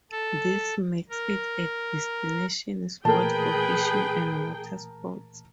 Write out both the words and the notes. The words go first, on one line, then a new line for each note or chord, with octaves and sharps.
This makes it a destination spot for fishing and water sports.
A4
A#4
A#2 E3 A3 G#4 A#4 B4 G5 A5